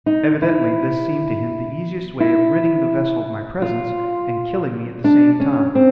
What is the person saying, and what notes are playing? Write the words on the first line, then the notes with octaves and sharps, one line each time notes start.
Evidently this seemed to him the easiest way of ridding the vessel of my presence and killing me at the same time.
D#4
E4
E4
F4
D4
C#4
C4